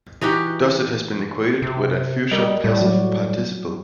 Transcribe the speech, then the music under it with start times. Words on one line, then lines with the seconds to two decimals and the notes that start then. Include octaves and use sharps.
Thus it has been equated with a future passive participle.
0.21 E3 D#4 F#4 G4
1.62 C3
2.31 G3 A#4 D#5
2.64 A2 G3 D5
2.81 F#3 F#4